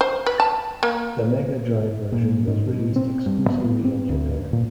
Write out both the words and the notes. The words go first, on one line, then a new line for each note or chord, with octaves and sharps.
The Mega Drive version was released exclusively in Japan.
C5
B4
A5
A#3
A#2
G#2
B2
C4
G2
B3
C4
D2
A#2